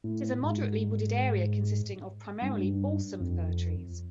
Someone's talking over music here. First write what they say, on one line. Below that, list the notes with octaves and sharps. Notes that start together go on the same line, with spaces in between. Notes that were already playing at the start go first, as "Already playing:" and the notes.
It is a moderately wooded area consisting of primarily balsam fir trees.
A2
G#2
G2
G#2
G2
F2